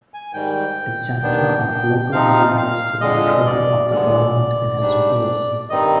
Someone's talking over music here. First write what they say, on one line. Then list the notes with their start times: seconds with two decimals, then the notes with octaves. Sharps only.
A junta of local commanders took control of the government in his place.
0.14 G#5
0.33 G#2 D#3 G3 G5
1.23 D#2 D#3 B3 D4
2.12 C3 F3 C4 D#4 F5
2.57 F5
3.01 F2 D3 G#3 D#5
3.46 D5
3.90 D#2 D3 G#3 B3 D5
4.80 G#2 G3 D4
5.69 G2 D#3 G3 C4 D#4 D#5